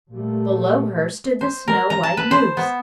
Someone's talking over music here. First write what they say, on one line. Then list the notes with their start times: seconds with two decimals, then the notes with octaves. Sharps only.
Below her stood the snow white moose.
0.11 A#2 G3 A3
1.41 C5
1.68 A#4
1.90 A#5
2.03 A5
2.17 B4
2.31 C5
2.57 B3